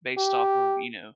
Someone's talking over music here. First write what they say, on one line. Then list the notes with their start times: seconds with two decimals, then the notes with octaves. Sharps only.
based off of, you know,
0.17 G4